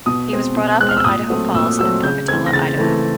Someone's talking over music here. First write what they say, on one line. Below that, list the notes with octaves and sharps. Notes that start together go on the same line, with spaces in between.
He was brought up in Idaho Falls and Pocatello, Idaho.
B2 D#6
G#3 C4
B2
G#3 C4 F#6
F6
E6
A#2 D#6
F#3 A3 C4
A#2 E6
F#3 A3 C4 E6
C#3 G6
E3 A3 C4 G#6
A#6
C#3 A6
E3 A3 C4